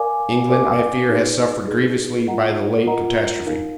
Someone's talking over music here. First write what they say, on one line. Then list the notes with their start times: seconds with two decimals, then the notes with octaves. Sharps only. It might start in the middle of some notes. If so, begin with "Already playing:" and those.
England, I fear, has suffered grievously by the late catastrophe.
Already playing: A#4 D5 F5 G#5 D6
0.50 A#4 D5 F5 G#5 D6
1.09 D#4 G#4 B4 D5
1.68 D#4 G#4 B4 D5
2.27 F4 A#4 D#5 F#5 A#5
2.86 F4 A#4 D#5 F#5 A#5
3.46 D#4 A#4 F5